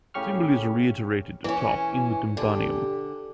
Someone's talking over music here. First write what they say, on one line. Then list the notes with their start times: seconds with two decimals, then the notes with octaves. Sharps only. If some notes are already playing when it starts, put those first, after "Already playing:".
The symbol is reiterated atop in the tympanum.
0.14 A2 C#3 C#4 G4 C#6 F6
1.44 E3 C#4
2.37 D3 G4